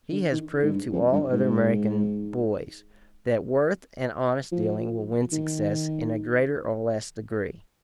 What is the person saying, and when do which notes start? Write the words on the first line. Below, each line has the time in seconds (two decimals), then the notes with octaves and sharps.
He has proved to all other American boys that worth and honest dealing will win success, in a greater or less degree.
0.12 D3
0.32 D#3
0.63 G#2
0.72 G2
0.92 F2
1.12 G2
1.32 G#2
4.52 F3
5.32 D#3